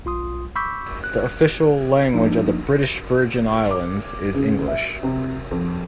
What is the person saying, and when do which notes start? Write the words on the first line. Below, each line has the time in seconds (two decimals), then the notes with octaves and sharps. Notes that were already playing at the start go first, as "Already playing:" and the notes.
The official language of the British Virgin Islands is English.
0.05 B1 F4 C6 D#6
0.56 B5 C#6 D6 E6 G6 B6
1.04 F#6
2.15 F3 A#3 D4 D#4
3.71 D6
4.34 C#3
4.68 E5
5.03 C3
5.51 F2